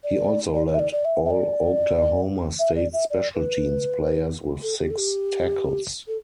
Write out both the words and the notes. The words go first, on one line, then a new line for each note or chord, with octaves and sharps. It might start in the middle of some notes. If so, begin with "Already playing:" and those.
He also led all Oklahoma State special teams players with six tackles.
D5
D5
C#5
E5
D5
D5
E5
E5
D5
E5
D5
E5
D5
B4
A4
G4
A4
G4
A4